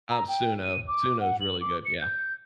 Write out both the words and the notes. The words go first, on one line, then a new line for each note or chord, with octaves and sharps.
Um, Suno. Suno's really good, yeah.
A#5
G5
D#7
D6
F#5
F#7
D6
C#7
G6